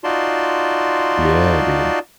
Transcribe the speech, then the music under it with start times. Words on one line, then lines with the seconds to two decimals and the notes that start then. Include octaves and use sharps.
Yeah, dude.
0.04 D#4 F4 F#4 D5 A5 C6